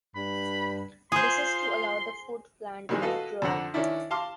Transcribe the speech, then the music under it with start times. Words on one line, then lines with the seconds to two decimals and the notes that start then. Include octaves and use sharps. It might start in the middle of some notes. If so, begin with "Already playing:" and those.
This is to allow the food plant to grow.
0.15 G2 B5
1.12 F4 G#4 C5 C6
2.89 A#1 D#3 G3 G#3
3.01 F#4 A4 B4 D#5 F5
3.42 F2 D3 F#5 A#5
3.74 D#3 C#4 D4 E4
4.10 F5 A5 C6 D6 F6